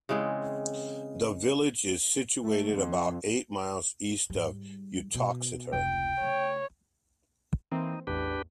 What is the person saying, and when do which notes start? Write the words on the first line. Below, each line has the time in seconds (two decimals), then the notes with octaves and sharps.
The village is situated about eight miles east of Uttoxeter.
0.09 C#3 E3 G#3 C4
2.44 A3
2.72 F2
4.30 G#2 G3
5.15 B2
5.73 F1 C#2 G5
6.20 C#3 A3 C#5
7.72 E3 A#3 C4 D#4
8.07 A1 E2 D4 G4 B4